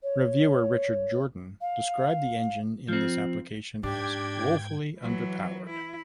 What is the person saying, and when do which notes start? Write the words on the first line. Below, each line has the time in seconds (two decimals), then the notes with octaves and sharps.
Reviewer Richard Jordan described the engine in this application as "woefully underpowered".
0.03 C#5
1.61 F5
2.89 F3 C4
3.83 G#2 D4 G4 G5 G#6
4.99 E3 F#3
5.70 E4